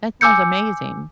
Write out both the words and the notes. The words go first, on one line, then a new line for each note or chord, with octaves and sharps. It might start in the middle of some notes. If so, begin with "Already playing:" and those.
That sounds amazing.
G#5 D6 E6 G6 C#7